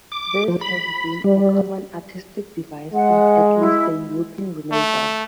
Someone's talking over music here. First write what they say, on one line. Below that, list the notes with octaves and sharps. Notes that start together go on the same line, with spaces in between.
This has been a common artistic device since at least the European Renaissance.
D6
F3
B5
G3
G#3 F#5
E4
A3